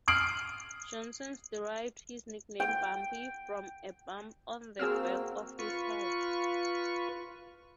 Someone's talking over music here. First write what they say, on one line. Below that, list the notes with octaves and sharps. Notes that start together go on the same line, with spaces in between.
Johnson derived his nickname "Bumpy" from a bump on the back of his head.
D#6 F6 C7 D7 F#7
G5
A#3 C4 F#4 G#4 E6 F6
F4 B4 C#6